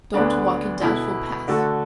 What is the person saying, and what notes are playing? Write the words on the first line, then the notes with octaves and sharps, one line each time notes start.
Don't walk in doubtful paths.
D2 D3 B3 D4
B2 B3 E4 A4
D3 A3 F#4 A4